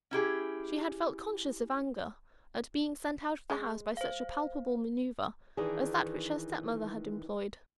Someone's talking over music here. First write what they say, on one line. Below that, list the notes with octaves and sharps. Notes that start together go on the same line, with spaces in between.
She had felt conscious of anger at being sent out of the house by such a palpable manoeuvre as that which her stepmother had employed.
C#4 E4 G4 G#4
G#3
C5 F5
D#3 E3 D4 G#4